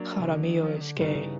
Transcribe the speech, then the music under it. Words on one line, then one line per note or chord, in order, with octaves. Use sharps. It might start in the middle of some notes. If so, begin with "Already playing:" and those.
Jaramillo is gay.
Already playing: F#3 A#3 D4
C3
C#3
D3
D#3
F3
D#3
D3
C3
G2 C#3 E3 G3 B3 D#4